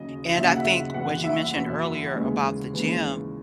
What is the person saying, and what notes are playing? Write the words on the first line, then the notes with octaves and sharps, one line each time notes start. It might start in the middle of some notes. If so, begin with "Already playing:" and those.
And I think what you mentioned earlier about the gym,
Already playing: D#2 C#3 F#3 D#5
D#2 C#3 F#3 E5
F#5
E5
F#1 E2 B2 F#5
E5
F#1 E2 B2
D#2 C#3 E3 G#3
D#2 C#3 E3 G#3